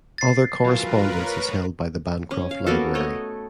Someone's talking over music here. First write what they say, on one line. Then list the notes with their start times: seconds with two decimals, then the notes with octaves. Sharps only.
Other correspondence is held by the Bancroft Library.
0.18 A6 C7
0.65 E3 F#3 F4 A#4 B4
1.18 A2 C#5
2.31 C#4
2.51 F5
2.66 A#3 B3 F#4 A4
2.95 A3 C#5 D#5